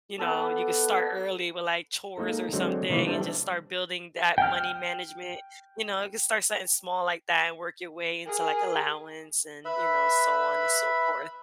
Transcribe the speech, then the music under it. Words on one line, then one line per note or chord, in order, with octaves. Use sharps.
you know, you could start early with, like, chores or something and just start building that money management, you know, it could start something small like that and work your way into, like, allowance and, you know, so on and so forth.
B3 A4 D5
G#3 A#3 D#4 A4
D3 F#3 G#3 C4
C3 D#3 E3 A#3 B4
G3 D4 A4 C5 D5 E5
G5 F6
G#4 A#4
B4 E5 B5 E6